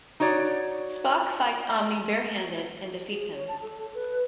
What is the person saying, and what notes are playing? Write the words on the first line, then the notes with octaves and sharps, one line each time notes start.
Spock fights Omne bare-handed and defeats him.
D#4 F#4 C#5 D5
G#4
C#5
A5
A4
B4